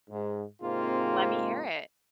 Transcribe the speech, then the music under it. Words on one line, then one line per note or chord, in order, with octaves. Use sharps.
Let me hear it.
G#2
G#2 C3 G#3 A#3 C4 F4